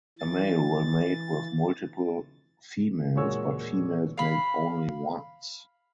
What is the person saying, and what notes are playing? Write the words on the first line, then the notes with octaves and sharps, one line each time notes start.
A male will mate with multiple females but females mate only once.
E3 A6
E1 A#2 G#3 F#4 C#5 E6
F5 B5